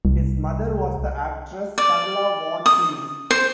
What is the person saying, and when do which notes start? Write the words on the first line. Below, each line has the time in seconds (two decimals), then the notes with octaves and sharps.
His mother was the actress Karla van Cleef.
0.05 C2
1.78 D5
2.66 D#6
3.31 C5